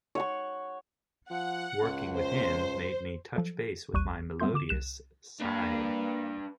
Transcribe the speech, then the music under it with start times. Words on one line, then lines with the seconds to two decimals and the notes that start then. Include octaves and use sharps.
Working with him made me touch base with my melodious side.
0.15 C#5 F#5 C#6
1.30 F3 F#5
1.82 C#2
2.16 C5
3.36 F3 F#3 A4
3.93 A1 D#2 G3 C#6 F#6 D#7
4.40 G3 B3 C4 E5 C6 G6
4.54 D3 D6 E7
4.69 C2 F#6 E7
5.41 A#3 D4 B4